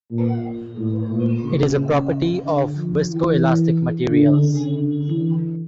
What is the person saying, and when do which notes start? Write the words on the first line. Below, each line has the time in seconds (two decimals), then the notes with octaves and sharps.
It is a property of viscoelastic materials.
0.11 A#2
0.77 A2
1.11 A#2
1.44 C#3
1.77 C#3
2.44 D3
2.76 F3
3.10 E3
4.09 D3
4.43 C#3
4.76 D3
5.09 E3